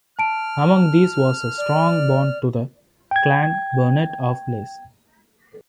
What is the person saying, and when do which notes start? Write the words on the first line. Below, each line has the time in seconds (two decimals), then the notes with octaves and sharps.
Among these was a strong bond to the Clan Burnett of Leys.
0.19 A5 F6 D7
1.58 D5
3.11 G5 G#6